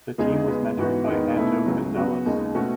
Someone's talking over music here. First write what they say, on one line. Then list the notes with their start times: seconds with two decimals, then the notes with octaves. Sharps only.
The team was mentored by Anto Gonzales.
0.18 E2 C#3 G#3 D#4 G#4
0.48 C#3 G#3 B3
0.77 G#2 E3 B3 F#4
1.08 E2 D#3 G#3 B3 D#4
1.37 B2 A3 E4
1.66 C#2 C#3 F#3
1.95 C#3 F#3 B3 F#4
2.25 D#2 C#3 G#3 D#4
2.55 B2 A3 C#4 F#4